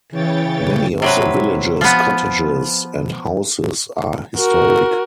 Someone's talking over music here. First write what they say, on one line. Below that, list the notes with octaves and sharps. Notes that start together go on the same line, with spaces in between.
Many of the village's cottages and houses are historic.
C#3 E3 C#5 G5 A6
C3 F#3 B4
F3 B3
F#4 A#4